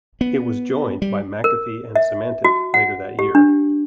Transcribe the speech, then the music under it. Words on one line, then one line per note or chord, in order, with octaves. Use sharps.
It was joined by McAfee and Symantec later that year.
B3
G3
A#4
E5
F#4
F#5
G4
D4